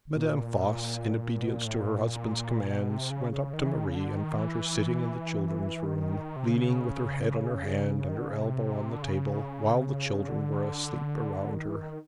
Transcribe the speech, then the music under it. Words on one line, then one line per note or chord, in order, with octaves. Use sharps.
Madame Voss, in obedience to her husband's commands, went up to Marie and found her sitting in the children's room, leaning with her head on her hand and her elbow on the table, while the children were asleep around her.
A#2
B2
A#2
A2
A#2
B2
C3
C#3
C#3
D#3
E3
D#3
C#3
D3
D#3
E3
D#3
C3
C#3
D#3
D3
C#3
C3
D3
C#3
D3
D#3
E3
D#3